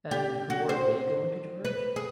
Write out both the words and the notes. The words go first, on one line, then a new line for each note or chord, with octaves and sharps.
And who are they going to charge?
G4
F#4
C5
B4
G#4